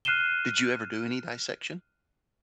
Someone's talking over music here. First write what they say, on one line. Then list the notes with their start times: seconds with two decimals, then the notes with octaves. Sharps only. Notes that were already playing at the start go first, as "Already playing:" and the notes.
Did you ever do any dissection?
0.05 F6 F#6 C7 D#7 E7 G7